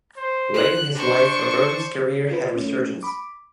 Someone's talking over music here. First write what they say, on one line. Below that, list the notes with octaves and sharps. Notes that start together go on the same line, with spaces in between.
Late in his life Robertson's career had a resurgence.
C5
F#6
D4 C5 C#6
F4 B4
A3 C#4
B5 D6